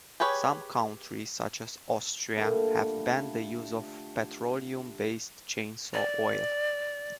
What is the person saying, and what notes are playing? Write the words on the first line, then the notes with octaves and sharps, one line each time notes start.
Some countries, such as Austria, have banned the use of petroleum-based chainsaw oil.
G4 G#4 B4 C#5
A#2 D3 G3 A3
D5